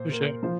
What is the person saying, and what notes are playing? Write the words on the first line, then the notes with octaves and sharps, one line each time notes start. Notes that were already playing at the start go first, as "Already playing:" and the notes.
For sure.
Already playing: A#2 C5
A#4
F3 C5